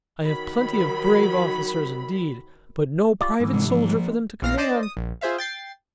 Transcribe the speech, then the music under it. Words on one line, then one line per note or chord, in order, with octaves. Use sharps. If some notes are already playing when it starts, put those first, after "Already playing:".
I have plenty of brave officers, indeed, but no private soldier for them to command.
D#3 F#3 B5
F4 G4 D5
G#2 D3 E3
C3 G#3 C4
F3 A#3
A#1 E3 F5 F6 A#6 C7
D4 C5 D5 D#5 A5
D#6
A#1
F4 G#4 C5 E5 F5
G5 A6 C7